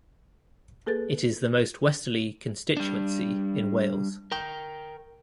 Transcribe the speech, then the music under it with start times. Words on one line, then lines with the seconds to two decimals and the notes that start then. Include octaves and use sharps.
It is the most westerly constituency in Wales.
0.86 A#3 G#4 A4 B4 A6
2.77 G3 D4
4.32 A#4 G5